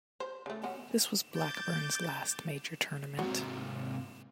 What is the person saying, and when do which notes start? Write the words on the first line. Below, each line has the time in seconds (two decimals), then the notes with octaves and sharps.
This was Blackburne's last major tournament.
0.20 C5
0.46 C#3 A3
0.63 B3 C#4 F#4
1.35 D6 G6 A6
3.19 G#2 C3 F#3